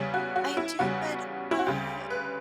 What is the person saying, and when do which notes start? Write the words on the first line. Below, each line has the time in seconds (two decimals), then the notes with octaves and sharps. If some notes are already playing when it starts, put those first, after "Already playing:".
I do, but, uh,
Already playing: E2 C#3 G3 C#4
0.14 F#4
0.36 F#4
0.57 E4
0.79 E2 C#3 G3 C#4 F#4
1.51 E4
1.59 F#4
1.66 D2 C#3 G3 G4
2.10 B4